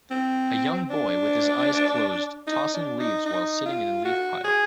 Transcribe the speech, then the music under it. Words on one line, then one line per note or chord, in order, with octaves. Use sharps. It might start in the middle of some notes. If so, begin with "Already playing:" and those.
A young boy with his eyes closed tossing leaves while sitting in a leaf pile.
C4
D4
D#4
D4
D#4
D#4
F4
F#4
G#4